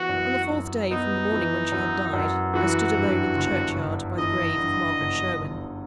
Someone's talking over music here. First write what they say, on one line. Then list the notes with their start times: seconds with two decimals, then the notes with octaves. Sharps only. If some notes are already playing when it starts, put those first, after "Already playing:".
On the fourth day from the morning when she had died, I stood alone in the churchyard by the grave of Margaret Sherwin.
Already playing: E3 B3 F#4
0.09 F#2
0.50 F#2
0.90 B3 D#4
1.32 E3
1.72 F#2
2.13 F#2
2.54 E3 F#4
2.95 G2
3.35 G1
3.76 G1
4.17 E3 D#5
4.58 G2
4.99 G1
5.40 G1